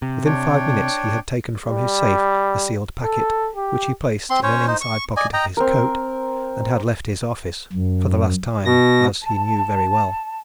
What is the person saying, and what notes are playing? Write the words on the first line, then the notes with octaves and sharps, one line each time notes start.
Within five minutes he had taken from his safe a sealed packet, which he placed in an inside pocket of his coat, and had left his office--for the last time, as he knew very well.
C3
D4 C#5 G5
G3
A4
G4
C4 C6
C#4 C5 C#5
D#4 C5
C#6
D5 D#5 G#5
D#5 G5 A#5
C4 A#4
F#2
B2 A#6
A5